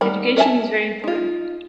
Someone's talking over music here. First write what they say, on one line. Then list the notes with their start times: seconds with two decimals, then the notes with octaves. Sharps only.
Education is very important.
0.01 D#3 G3 A#4 F#5 B5
0.37 A#4 D#5 E5 G#5 A5
1.04 D#4 F4